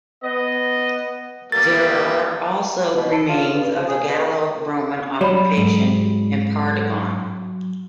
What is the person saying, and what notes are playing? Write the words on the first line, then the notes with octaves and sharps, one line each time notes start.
There are also remains of a Gallo-Roman occupation in Pardigon.
B3 D#5
G3 A#3 B3 A6
B2
A4
F4
G2
F3
G#4
B2
F#3 G3 C#5 D5 B5
G#2